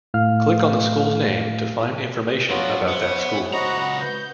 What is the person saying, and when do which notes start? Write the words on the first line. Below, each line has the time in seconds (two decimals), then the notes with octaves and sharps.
Click on a school's name to find information about that school.
0.14 A2 A3 E4 F5 F6
2.50 F#3 B3 D4 F4 F#4 C#5
2.88 B3 C5 C#5 E5 F#5
3.53 C#2 F#4 D#5 F#5 A#5 B5
4.02 B4 G6